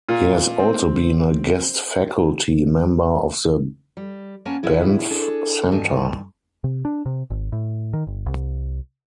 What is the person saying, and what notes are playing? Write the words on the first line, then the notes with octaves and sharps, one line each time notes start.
He has also been a guest faculty member of The Banff Centre.
A#2
C4
G3
A#3 B3 C#4 G#5 A5
A#2 B3 E4 G#4
D4 G#4 A4
G2 D#3 G#5 A5
C3
D4
C3
G#1
A2
D#3
G1
C2